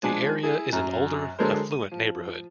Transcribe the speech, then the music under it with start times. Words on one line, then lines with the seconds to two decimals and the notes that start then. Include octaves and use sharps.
The area is an older, affluent neighbourhood.
0.03 F3 G#3 D4 G#5
0.43 E4 G#4
0.73 F#2 A#5
1.39 D3 F#3 G#3 A4 A#4 C5
1.72 D#7
1.92 F3